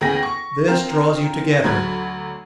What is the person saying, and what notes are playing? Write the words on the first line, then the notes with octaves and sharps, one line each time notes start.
This draws you together.
D2 C#3 B3 G5 G#5 A#6
C#6
C4 F4 A#4
D2 F#3 B5 G#6